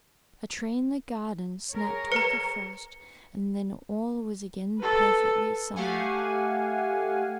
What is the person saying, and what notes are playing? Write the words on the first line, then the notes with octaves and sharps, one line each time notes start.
A tree in the garden snapped with the frost, and then all was again perfectly silent.
G#4 A#4 C#5
B4 A#5 C#7
A4 B4
A3 G4 F5 F#5 G#5